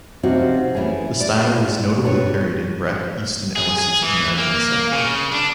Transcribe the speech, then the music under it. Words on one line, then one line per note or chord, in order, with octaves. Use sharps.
The style was notably parodied in Bret Easton Ellis' "American Psycho".
C3 F3 C4 C#4 D#4 F#4
E3 A3 C#4 G#4
G#3 D5
G2 G#3 D4 A4 B4 C#5
G#4
G#4
E3
A#3
C#3
D4